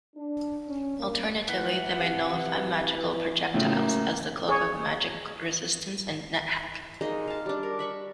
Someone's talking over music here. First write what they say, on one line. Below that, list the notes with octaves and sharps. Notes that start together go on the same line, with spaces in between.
Alternatively, they may nullify magical projectiles, as the "cloak of magic resistance" in NetHack.
D4
C#4
A#3
E3 F#5 B6
C3 F5
F#1 A2 C#3 F3 A3
A#3
G#4 C#5
G#3 A#3 D#4 C6
F5 A5
G3 D4
A#4
E5 B5 C#6